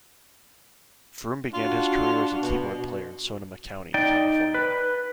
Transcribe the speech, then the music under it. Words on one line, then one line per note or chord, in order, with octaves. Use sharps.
Froom began his career as a keyboard player in Sonoma County, California.
D4 F4 F#4
B2
D#4 D5 G5
B4